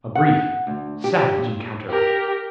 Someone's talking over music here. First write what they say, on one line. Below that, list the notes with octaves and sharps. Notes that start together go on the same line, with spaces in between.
A brief, savage encounter.
F#5
D2
G4
A#2
G4 A#4